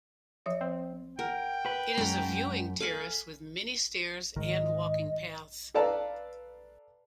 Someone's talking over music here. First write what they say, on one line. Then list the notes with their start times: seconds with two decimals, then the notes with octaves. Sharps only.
It is a viewing terrace, with many stairs and walking paths.
0.46 F3 C#5 E5
0.61 C4
1.19 A#4 F#5 G5
1.66 B4
1.98 F#2 G#3 C#4 A#5 B5
2.80 A4 F5 G#5 B5
4.36 G#2 D#3 D#5
5.74 A4 B4 D5 F5 A5 A#5